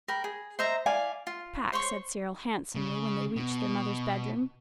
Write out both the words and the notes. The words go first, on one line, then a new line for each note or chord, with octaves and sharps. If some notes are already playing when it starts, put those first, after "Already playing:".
'Pax,' said Cyril handsomely when they reached their mother's bedroom.
A#4 G5 B5
G#4
C5 D#5 E5 A#5
E4 D5 F5 G#5
F4
C5 C#5 C6 C#6
C#3
B2